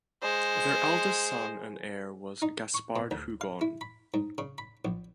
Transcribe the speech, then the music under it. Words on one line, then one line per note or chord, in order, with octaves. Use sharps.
Their eldest son and heir was Gaspard Hugon.
G#3 C5
D#4
C#6
B2
D2
F5
E4
B5
G#2
C#3
B5
A#1